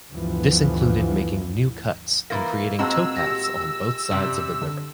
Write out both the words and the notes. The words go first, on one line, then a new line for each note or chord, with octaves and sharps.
This included making new cuts, and creating towpaths on both sides of the river.
D2 G2 E3 F3 B3
E3 A#3 A#5 B5 A6
A#2 G#3 C4 F#4 A5 A#5 E6
G4 A#6
F#2 C3 G3
D3